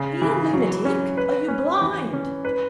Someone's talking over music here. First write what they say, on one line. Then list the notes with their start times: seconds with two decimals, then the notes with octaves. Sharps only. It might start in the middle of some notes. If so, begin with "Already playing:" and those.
Here, lunatic! Are you blind?
Already playing: C#3
0.22 E3
0.53 F#3
0.85 C#4
1.18 B4
1.48 C#4
1.81 E3
2.13 C#4
2.45 B4